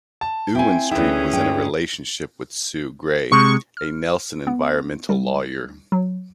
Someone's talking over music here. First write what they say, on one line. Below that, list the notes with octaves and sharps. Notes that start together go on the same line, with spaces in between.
Ewen-Street was in a relationship with Sue Grey, a Nelson environmental lawyer.
A5
C4 E4 G5 G#5
D2 C#4 E4 G#4 B4 G5
G2 G5
C3 G#3 C#6
F6
B3
G3
F#3